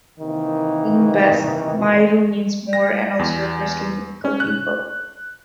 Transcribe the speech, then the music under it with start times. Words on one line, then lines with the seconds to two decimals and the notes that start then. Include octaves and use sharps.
In Basque, "mairu" means moor and also refers to a mythical people.
0.20 C3 D#3 E3 A#3 D#4
2.73 A#6
3.19 E2
4.25 C#4
4.40 F#6